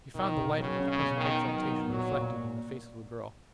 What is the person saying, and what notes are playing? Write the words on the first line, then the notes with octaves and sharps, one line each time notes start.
He found the light of his present exaltation reflected in the face of the girl.
B2 D#3
B2
C#3 F#3
C#4
C#3
B2
D#3
B2
D#3 F#3
B3
A#2 F#3
A#2